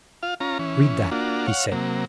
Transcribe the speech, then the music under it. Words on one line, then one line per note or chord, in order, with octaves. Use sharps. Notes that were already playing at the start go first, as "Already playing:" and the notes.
"Read that," he said.
F4 F5
C#4 F4 A#5
E3 C#4
A#3 D4 F4 F#4
C#5 F5 F#5
C3 F#3 A#3